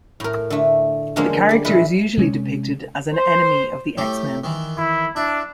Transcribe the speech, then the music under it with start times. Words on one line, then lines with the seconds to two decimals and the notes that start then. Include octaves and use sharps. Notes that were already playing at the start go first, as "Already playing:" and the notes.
The character is usually depicted as an enemy of the X-Men.
0.20 A2 A#4
0.50 D3 A3
1.16 D3 F3 G#3 A#3 C#4 D4
1.49 G3 D5
1.65 A#2 E3 G#3 B4
2.17 C3 G#3 B3 C#4
3.14 C5
3.98 A2 A3 G4
4.44 D#3 E3
4.78 E4
5.16 D4 E4